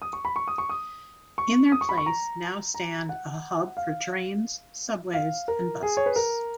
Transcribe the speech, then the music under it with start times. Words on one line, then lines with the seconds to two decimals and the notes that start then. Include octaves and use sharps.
In their place, now stand a hub for trains, subways and buses.
0.02 D#6
0.13 C#6
0.25 B5
0.36 C#6
0.48 D#6
0.58 C#6
0.69 D#6
1.38 C#6
1.72 D#6
1.81 C#6
1.89 B5
1.97 C#6
2.06 A#5
2.74 A#5
3.09 F#5
3.77 F5
5.14 F5
5.48 A#4
5.83 G#4
5.97 C#5
6.06 B4
6.16 A#4